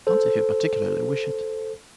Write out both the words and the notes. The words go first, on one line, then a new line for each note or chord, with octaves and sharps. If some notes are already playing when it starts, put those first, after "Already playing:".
"Not if you particularly wish it."
A4 C5